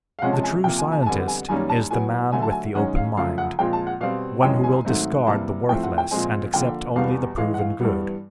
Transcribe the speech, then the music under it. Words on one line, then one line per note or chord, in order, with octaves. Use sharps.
The true scientist is the man with the open mind, one who will discard the worthless and accept only the proven good.
F5
C3 F3 G#3 C#4 F#5
A5
G#5
C3 F3 A#3 G5
G#5
G#5
A5
F2 D3 G3 B3 G#5
G#5
F#2 D#3 G3 A#3 C#4 G#5
A5
A2 F#3 B3 G#5
D3 F#3 A3 G#5
A5
G#5
F#2 D#3 G#3 C#4 F#5
F5
F#2 C#3 F3 A3 F5
F#5
A#2 F3 G#3 C4 G5
A5
F#5
B2 G3 C4 F5
F#2 C#3 E3 G#3 C#4 G5
G#5
G#2 D#3 F#3 A3 C4
C3 E3 G3 A#3 A5
A2 F3 A3 C4 G5
F#5
G5
A#2 F3 G#3 C4 G#5
D3 F3 A#3 G5
E2 B2 G3 B3 F5
A2 E3 G#3 F5
F#5
F5
G2 E3 G3 B3